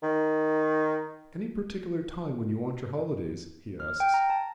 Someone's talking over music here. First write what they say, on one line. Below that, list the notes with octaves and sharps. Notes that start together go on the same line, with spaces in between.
"Any particular time when you want your holidays?" he asks.
D#3
F6
G5
A#5
A5